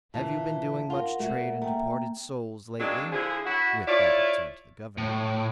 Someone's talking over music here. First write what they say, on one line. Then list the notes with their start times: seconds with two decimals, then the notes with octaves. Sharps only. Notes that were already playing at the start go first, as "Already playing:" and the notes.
"Have you been doing much trade in departed souls lately?" With that he turned to the Governor.
0.14 A#2 E3 A5
0.90 F4 A#4 F#5
1.19 A#2 A3 F#4
1.62 A3 A#3 G5
2.80 F#3 G#3 A#3 C4 D4
3.13 D3 F3 E4 G#4
3.46 E4 F#4
3.87 E4 F4 C#5 D5
4.98 A2